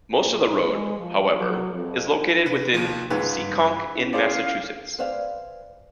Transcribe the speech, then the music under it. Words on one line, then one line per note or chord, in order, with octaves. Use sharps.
Most of the road, however, is located within Seekonk in Massachusetts.
A#2
G#3
F3
F#3
F2
C3 B4
D#2 F3
C#2 G#2 D#3 B4
G2
C#4 E4
G#4 C5 D5 F5
B4 C5 D5 E5 F5 G#5